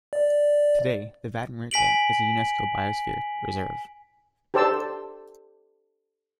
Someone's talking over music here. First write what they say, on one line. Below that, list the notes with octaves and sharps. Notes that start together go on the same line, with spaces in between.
Today the Vattenriket is a Unesco biosphere reserve.
D5
G#5 B6 D7 F#7
G4 A4 C5 D5 A5 E6